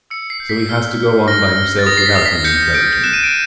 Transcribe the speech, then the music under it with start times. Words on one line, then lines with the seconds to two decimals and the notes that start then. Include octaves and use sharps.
So he has to go on by himself without any encouragement.
0.10 E6 C#7
0.30 C7
0.40 G6
0.49 B6
0.69 F6
0.98 F6
1.28 F6 A#6
1.57 F6
1.79 A6
1.86 D#6 A#6
1.98 C7
2.06 B6
2.15 D#6
2.26 B6
2.44 G6 C#7
2.74 G6 D7
3.04 F#6 E7
3.13 D#7
3.24 D7